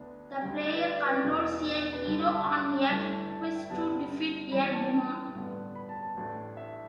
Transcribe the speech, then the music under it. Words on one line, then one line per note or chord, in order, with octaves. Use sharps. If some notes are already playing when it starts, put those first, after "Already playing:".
The player controls a hero on a quest to defeat a demon.
Already playing: D2 D3 B3 D4
D2 D3 G3 G5
D5
B4
D5
D5
B4
D5
E1 E2 B2 B3
D5
D5
B4
G2 D3 G3 D5
E5
A5
A5
G1 G2 D3 A3 E4
A5
E5
G5
G1 G2 D3 G3 B3 A5
G2 E3 B3 B5
D5
A5
G5
A5
A1 G2 D3 B3
B5
A5
A5
A1 A2 A3 D4
E5